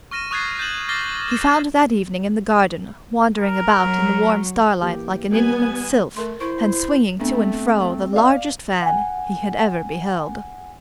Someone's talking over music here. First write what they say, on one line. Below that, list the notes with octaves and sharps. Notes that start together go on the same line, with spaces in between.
He found her that evening in the garden, wandering about in the warm starlight like an indolent sylph, and swinging to and fro the largest fan he had ever beheld.
C#6 F6 A#6 D#7 E7
C#6 D#6 F#6 G#6 A6 C7
G6 A6 D#7 E7 F#7
D6 F6 A6 A#6 C7 G7
A6 E7
A#4
F#3
E3 A#3 G4
G3 B3 G#5
A3 A4 A#4 C6
E4 C5 C#6
A3 B3 C4 D4
D5 F5
F#5 G#5